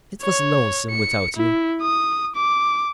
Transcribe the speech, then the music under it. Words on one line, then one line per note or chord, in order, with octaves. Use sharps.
It was lonesome without you.
C#5
C#7
E4
D#6
D6